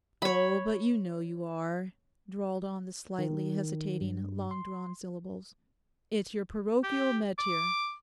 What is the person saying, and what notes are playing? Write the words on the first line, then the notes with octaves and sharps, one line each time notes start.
'Oh, but you know you are,' drawled on the slightly hesitating long-drawn syllables; 'it's your parochial metier.
C#5 B5
D#3
G2
C6
G4
D6